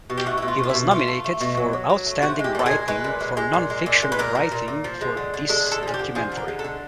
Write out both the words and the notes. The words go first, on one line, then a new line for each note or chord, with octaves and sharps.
He was nominated for outstanding writing for non-fiction writing for this documentary.
B2
G4
A3 F#4
B2 E4
F4
A3
F4
E4
B2
A3 F4
A3
A3
B2
F#3
F#3
F#3
A3
F3 F#4
G#3
G4
A#2 A4
G#4
G#3
G#3 B4
A#2
G#3
G#3
A#2
G#3
A#2
G#3
B4
A#2 A#4
A#2
A#2
A#2
F3
G#3
D3
D3
G#3 A4
D3
A4
F3 G#4
G4
D3
F3 G#4
D3
A#4
G#3
A4
D3